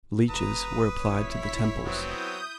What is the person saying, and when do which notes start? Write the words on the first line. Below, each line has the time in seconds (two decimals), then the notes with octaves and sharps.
Leeches were applied to the temples.
0.29 F1 B4 A#5 D#6
1.01 E4 C#5 B6
1.85 F#3 B3 C4 D#6 G6